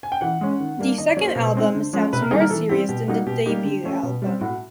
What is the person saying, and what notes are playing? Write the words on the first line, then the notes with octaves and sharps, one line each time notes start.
The second album sounds more serious than the debut album.
G#5
G5
E3 F#5
G#3 C#4
D#3
G3 A#3 D4
D#3 D#5
D5
F#3 A#3 C#5
C5
B2
G#3 C4 D#4
D3
F3 G#3 C#4
C3 B4
A#4
D#3 G3 A#3 D#4 G#4
A#4
E3 A4
G3 C4 E4 G4
B2 G4
G3 A#3 D#4 F#4
B2 G4
G3 A#3 D#4 G4
D3
F3 A3 C#4
B2
G3 C4
A2 F#4